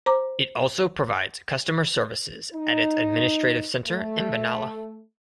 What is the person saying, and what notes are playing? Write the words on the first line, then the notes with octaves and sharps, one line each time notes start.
It also provides customer services at its administrative centre in Benalla.
C5 A#5 D6
D#4
A3